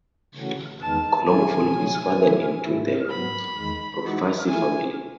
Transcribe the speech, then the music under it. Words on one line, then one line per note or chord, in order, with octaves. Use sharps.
Colombo followed his father into the Profaci family.
C#3 E3 A3 C#4 F#4
E2 D#3 G#3 B3 D#4 A5
E3 G#3 C#4 E4 G#4 G#5
C#3 F#3 A3 C#4 G#4
D#3 F#3 A3 E4 G#4
G#2 D#3 A3 E4
G#2 F#3 B3 B5
E2 D#3 G#3
E3 G#3 D#4 F#4
E3 A3 E4 G#4 G#5